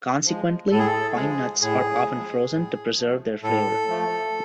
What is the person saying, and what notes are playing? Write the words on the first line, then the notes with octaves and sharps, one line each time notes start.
Consequently, pine nuts are often frozen to preserve their flavor.
F3 G#3
A2 A4
G#4
A4
F3 G#3 G#4
A2 G#4
F3 G#3
A2
F3 A3
A2 A4
F3 A3